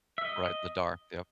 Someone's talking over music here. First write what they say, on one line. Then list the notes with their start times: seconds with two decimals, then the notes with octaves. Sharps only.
Right, the Daughter Yup.
0.18 E5
0.25 D#5